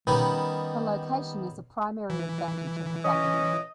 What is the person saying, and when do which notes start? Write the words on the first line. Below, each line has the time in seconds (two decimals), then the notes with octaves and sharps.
The location is a primary advantage of the faculty.
0.07 D#3 G3 B3 C#4
2.10 E3
3.04 C#4 D#5